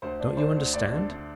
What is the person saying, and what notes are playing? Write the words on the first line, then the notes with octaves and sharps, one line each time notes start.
Don't you understand?
D2 C5
D4
D4 C5
D2
D2 D5
D3
D3